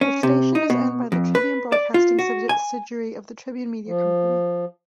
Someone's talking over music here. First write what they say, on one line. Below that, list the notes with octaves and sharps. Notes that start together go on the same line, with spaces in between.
The station is owned by the Tribune Broadcasting subsidiary of the Tribune Media Company.
C#4
C3
D#4
B2
F2
B4
D5
F4
F#4
G#5
F3